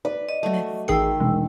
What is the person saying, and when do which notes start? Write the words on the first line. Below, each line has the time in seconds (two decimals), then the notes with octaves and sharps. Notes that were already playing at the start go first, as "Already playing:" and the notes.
And it's
0.05 B4 D5
0.29 D#5
0.43 A3 F#4
0.88 A1 D#3 G#4 G5 B5 E6 C7
1.20 E1 G#3